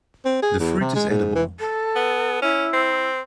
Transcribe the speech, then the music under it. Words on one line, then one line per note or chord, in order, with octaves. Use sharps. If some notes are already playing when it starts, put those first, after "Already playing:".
The fruit is edible.
C4
G#4
E2
C3
G#3
G#2
E3
A4
B3
C#4 E4
C4